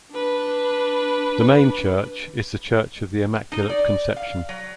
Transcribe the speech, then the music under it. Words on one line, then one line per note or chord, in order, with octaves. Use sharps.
The main church is the Church of the Immaculate Conception.
D4 B4
D#4
D5
F5
F#3